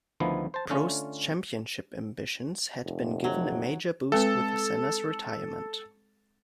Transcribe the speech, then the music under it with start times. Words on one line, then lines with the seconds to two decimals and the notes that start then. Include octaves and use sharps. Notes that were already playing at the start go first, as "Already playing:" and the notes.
Prost's championship ambitions had been given a major boost with Senna's retirement.
0.20 D2 D#3 F3 B3 E4
0.54 C5 A5
0.70 D3 A3 C#4 F4
2.84 F1
3.24 F#3
4.12 G#3 C4 A4 B4